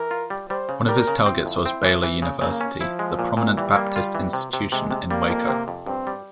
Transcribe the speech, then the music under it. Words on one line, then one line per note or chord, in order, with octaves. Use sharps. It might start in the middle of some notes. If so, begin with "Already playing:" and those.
One of his targets was Baylor University, the prominent Baptist institution in Waco.
Already playing: E3 A#4
F4
G3
G3 C5
C#3
G3 A#4
C#3
C4 E4
F2
C4
E3
E3
C#3
C#3 A#3
C#4
F3 E4
G#3
A#2
A#2
E3 G3
A#3
F4
E3
C3
C3
C3 G#3
C3
G3 A#3
F2
C3
F2
G2 C4
G3